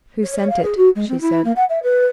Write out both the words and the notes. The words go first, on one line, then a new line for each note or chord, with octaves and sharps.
"Who sent it?" she said.
C#5
C#5
F5
G#4
F#4
G#3
C4
E4
A#3
F#5
E5
B4